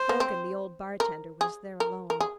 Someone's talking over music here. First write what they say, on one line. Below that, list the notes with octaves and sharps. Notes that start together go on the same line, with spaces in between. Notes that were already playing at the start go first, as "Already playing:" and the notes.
Grogan, the old bartender was there alone.
Already playing: C5
A#3
C4
A#4
G#4
A#4
A#4
G#4